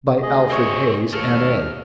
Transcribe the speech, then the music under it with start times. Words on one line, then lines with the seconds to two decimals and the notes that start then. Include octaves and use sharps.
By Alfred Hayes, M.A.
0.22 D2 G#4 D#5
0.50 C4 C#5
1.13 D#2 A2 A3 F6